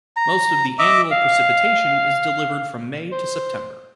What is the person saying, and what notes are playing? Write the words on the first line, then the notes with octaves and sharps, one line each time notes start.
Most of the annual precipitation is delivered from May to September.
A#5
D#5 E5 D6
F5
C5